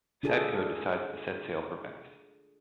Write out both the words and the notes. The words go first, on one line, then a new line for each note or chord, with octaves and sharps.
Sadko decides to set sail for Venice.
D4 F4 G#4 A4